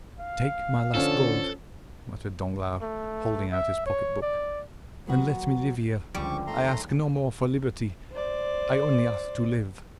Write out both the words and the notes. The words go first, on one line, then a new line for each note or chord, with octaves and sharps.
"Take my last gold," muttered Danglars, holding out his pocket-book, "and let me live here; I ask no more for liberty--I only ask to live!"
F5
D3 F3 C#4 A4
A3
E5
C#5
D5
D#2 F#3 B3 F#4
C#2 D3 F3 G3 C#6 D6
D#2 A3 A#5 C6
C5 D5